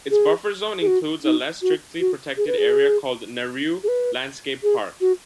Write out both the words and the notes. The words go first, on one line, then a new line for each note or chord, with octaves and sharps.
Its buffer zone includes a less strictly protected area called Narew Landscape Park.
G#4
G#4
F#4
D#4
F#4
F#4
G#4
B4
G#4
G#4
B4
G#4
F#4